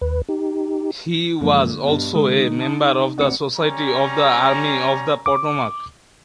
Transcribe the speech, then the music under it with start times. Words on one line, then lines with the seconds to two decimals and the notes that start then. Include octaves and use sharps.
He was also a member of the Society of the Army of the Potomac.
0.01 D#2 B4
0.29 D#4 G4
1.41 F#2 D3 F3 G#3 A#3
1.84 G2 B2 D4
2.15 D3 G#3 D#6
2.36 D#4
2.61 A5 C6 D#6
3.18 D2 C4 D5 F#5 C#7
3.57 G3 C#4 A#5
5.26 D6